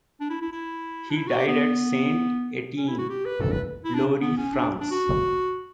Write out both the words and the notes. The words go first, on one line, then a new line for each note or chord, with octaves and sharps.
He died at Saint Etienne, Loire, France.
D4
E4
E4
E4
D4
E4
F#4
G4
B3
C#4
E4
F#4
G4
B4
A4
B4
E4
D4
B3
C#4
D4
D4
F#4